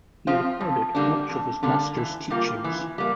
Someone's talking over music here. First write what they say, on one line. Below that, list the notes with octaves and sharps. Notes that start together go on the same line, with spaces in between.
He recorded much of his master's teachings.
F3 C4 F4
F2
D3 G3 A#3 D4
F2
D3 G3 A#3 D4
E3
G3 A#3 F4
E3
G3 A#3